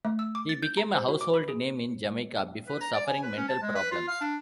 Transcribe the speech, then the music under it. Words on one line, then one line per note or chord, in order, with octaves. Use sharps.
He became a household name in Jamaica, before suffering mental problems.
A3
E6
D6
A6
G6
A#5
C5
F#4
D6
B5
G#4
B4
A#5
D5
G#5
B4
C#4
A5
G#3
B4
F4
F5
D4